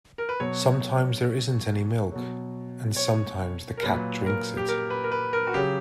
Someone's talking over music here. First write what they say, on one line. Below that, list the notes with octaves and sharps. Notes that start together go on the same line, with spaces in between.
Sometimes there isn't any milk, and sometimes the cat drinks it.
A#4
B4
B2 F#3 C#5
B2 F#3
C#5
A#4
A#2 F#3 B4
A#4
G4
A#4
B4
A#4
B4
A#4
F#4
C#3 F#3 G4